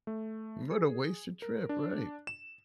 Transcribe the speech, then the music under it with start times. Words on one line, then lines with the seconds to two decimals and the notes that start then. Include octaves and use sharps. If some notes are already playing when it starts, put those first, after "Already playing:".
What a wasted trip, right.
0.07 A3
0.71 G#4
1.42 A#4
1.69 D4
2.27 E7